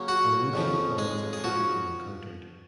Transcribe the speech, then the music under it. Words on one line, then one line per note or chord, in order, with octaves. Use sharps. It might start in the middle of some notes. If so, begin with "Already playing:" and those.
Alluvial fans are frequently encountered.
Already playing: C#3 F#3 A#3 C#4
F#4 F#5
F2 C#3 F3
G#3 G#4
G#4
F3 F#4